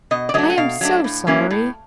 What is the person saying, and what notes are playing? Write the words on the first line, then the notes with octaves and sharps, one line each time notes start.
"I am so sorry!"
B2 D#5
D5
F#3 A3 D4 D#5
F#5
B2 F5
F#3 A3 D4
A2
F#3 A#3 C#4 E4
A2